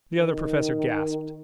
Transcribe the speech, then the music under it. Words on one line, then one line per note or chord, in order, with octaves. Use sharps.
The Other Professor gasped.
D#3